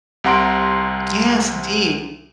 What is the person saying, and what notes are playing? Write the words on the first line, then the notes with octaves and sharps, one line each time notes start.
Yes, indeed.
C2 C3 F#5 A#5 C6 D7